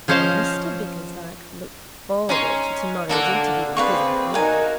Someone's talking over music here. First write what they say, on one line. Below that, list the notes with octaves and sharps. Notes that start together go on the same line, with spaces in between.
Mr Bickersdyke looked forward to tomorrow's interview with his employee.
F3 C#4 C5 D#5 F5
C#4 D#4 G#4 C6
D3 A#3 D4 F#4 A4 F#5
C4 G#4 B4 D5 F5 C#6
D#4 F#4 A#4 F5 G#5